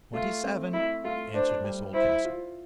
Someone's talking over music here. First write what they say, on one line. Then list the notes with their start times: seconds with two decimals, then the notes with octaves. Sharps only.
"Twenty-seven," answered Miss Oldcastle.
0.13 A3 F4
0.44 C4
0.73 A3 E4
1.04 A3 F4
1.34 D4 C5
1.64 G3
1.94 E4 C5
2.25 F4